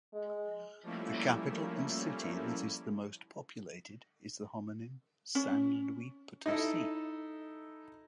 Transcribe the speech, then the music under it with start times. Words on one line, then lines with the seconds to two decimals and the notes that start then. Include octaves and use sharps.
The capital and city that is the most populated is the homonym San Luis Potosí.
0.13 G#3
0.83 F3 G3 A3 A#3 C#4 E4
5.35 C#4
6.46 D#4 E4 A4 D#5